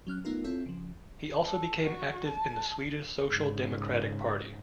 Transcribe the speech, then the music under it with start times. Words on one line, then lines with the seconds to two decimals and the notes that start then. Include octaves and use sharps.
He also became active in the Swedish Social Democratic Party.
0.07 F#3 C#4 F6 F#6
0.25 A3 B3 D#4 F4 A#4
0.44 C4 E4 F4 A4 C#5 E5
0.66 C#3 F3
1.45 A4
1.84 F#4
2.28 A5
3.26 G#2 C#3